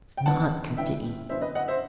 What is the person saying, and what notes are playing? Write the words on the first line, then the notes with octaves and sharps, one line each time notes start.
"It's not good to eat."
G5
G1 F#2 E3 B3 F#5 A5
G1 F#2 E3 B3 E5 G5
G1 F#2 E3 B3 C5 E5
B4 D#5
D#5 F#5
C5 E5